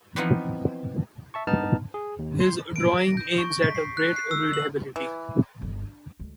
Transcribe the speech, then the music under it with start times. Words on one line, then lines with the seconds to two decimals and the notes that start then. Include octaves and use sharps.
His drawing aims at a great readability.
0.16 E3 F3 B3 C4 D#4 E4
1.34 E5 A5 C#6
1.47 G2 B3 D#4 A5 F6
1.94 G#4
2.19 D#2
2.40 C6
2.76 D7
2.98 A#6
3.17 G6
3.38 C#6
3.62 B6
3.75 C7
3.97 F#6
4.16 C7
4.31 E6
4.53 F#7
4.96 E3
5.62 G1
5.82 D4
6.20 D2 G#3